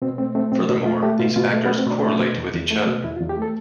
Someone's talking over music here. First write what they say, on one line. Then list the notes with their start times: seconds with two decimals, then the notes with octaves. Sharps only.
Furthermore, these factors correlate with each other.
0.02 B2 C4
0.18 A3 C4
0.35 A3 C4
0.52 B2 C4
0.69 B2 D4
0.86 A3 F4
1.03 A3 G4
1.19 B2 F4
1.36 B2 F4
1.53 A3
1.66 B3
1.70 A3
1.78 C4
1.86 B2 D4
2.03 A3
2.20 B2
2.37 E2
2.53 E2
2.71 A3
2.87 B2
3.04 E2 E4
3.16 F4
3.21 E2
3.29 G4
3.37 A3 A4